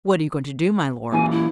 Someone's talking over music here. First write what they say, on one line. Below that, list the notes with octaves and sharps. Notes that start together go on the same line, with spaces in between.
"What are you going to do, my lord?"
A#2 E3 G#5
E4